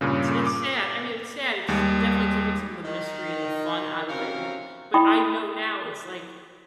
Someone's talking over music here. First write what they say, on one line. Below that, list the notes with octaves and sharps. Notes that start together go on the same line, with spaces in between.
It's it's sad I mean, it's sad, it's definitely taken some of the mystery and the fun out of it and but, I know now, it's, like,
G2 A#2 C#3
D6
D#2 G3 G#3
D#3
F#2 C3 C4 A#4 C#5 F5
E4 G5 B5 D#6